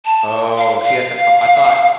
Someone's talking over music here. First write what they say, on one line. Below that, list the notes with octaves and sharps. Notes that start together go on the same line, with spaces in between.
Oh, see that's the problem, I thought
A5
F5
F5